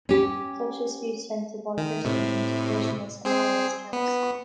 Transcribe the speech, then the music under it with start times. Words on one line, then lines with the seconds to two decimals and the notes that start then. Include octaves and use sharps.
Such disputes tend to divide Christians into traditionalist and modernist camps.
0.09 C#4 G4
1.77 D#3
2.05 A2 C3
3.25 C4 G#4 C5
3.93 B3